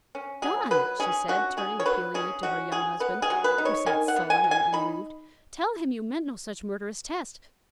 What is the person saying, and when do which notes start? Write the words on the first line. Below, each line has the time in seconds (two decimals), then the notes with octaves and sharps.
John," she said, turning appealingly to her young husband, who sat sullen and unmoved, "tell him you meant no such murderous test.
0.15 C#4
0.42 F#3 G#4
0.71 F#3 B4
1.00 C#4 G#4
1.28 C#4 F#4
1.57 F#3 G#4
1.80 C#5
1.86 F#3 B4
2.14 C#4 G#4
2.43 C#4 F#4
2.72 F#3 G#4
3.00 B3 B4
3.22 G#4
3.30 F#3
3.44 B4
3.58 D#4
3.65 C#5
3.86 D#3 G#5
4.08 F#5
4.16 B3
4.30 G#5
4.44 F#3
4.51 G#5
4.73 D#4 B5